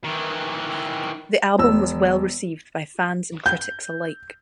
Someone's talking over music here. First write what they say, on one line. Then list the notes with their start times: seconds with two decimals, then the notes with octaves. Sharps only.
The album was well received by fans and critics alike.
0.04 D#3 E3
1.59 E1 E6
3.46 G6